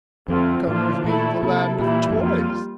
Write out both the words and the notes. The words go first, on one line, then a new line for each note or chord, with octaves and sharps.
Come with me to the Land of Toys.
F2 D3 A3 C4 F4
A2 F3 A#3 D4 F4
A#2 A3 E4 A4
C3 A#3 E4 A4
A#2 E3 G3 A#3 E4
G2
F2 G3 A#3 F4